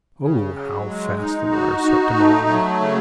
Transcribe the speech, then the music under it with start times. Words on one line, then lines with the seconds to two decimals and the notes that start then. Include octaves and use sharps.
Oh, how fast the water swept him along!
0.22 C#3
0.54 F#3
0.86 G#3
1.19 D#4
1.51 F#4
1.83 D#4
2.16 A3
2.48 F#3
2.81 C#3